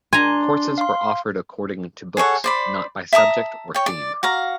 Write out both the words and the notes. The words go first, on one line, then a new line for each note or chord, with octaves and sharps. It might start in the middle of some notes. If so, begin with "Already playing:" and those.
Courses were offered according to books, not by subject or theme.
D4 G#5 A#5 C6
F5 C6
G#4 A4 C#5 F#5
C5 D5 B5
E5 A5 A#5 D#6
C#5 G5
D5
F#4 F5 A#5